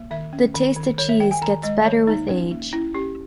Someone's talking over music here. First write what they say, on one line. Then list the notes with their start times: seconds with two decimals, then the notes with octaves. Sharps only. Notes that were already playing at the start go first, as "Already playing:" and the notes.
The taste of cheese gets better with age.
Already playing: A#3
0.11 D#3 E5
0.33 C#4
0.54 D#3
0.76 D#3
0.98 D#3 C#5
1.09 E5
1.20 D#3 G5
1.31 G#5
1.42 D#3 A#5
1.63 G#3 D#5
1.85 D#3 C#5
2.07 A#3 D#4
2.29 C#4
2.51 A#3
2.73 C#4 E4
2.94 C#4 G4